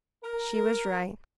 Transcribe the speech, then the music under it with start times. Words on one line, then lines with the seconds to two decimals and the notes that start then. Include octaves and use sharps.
She was right.
0.24 A#4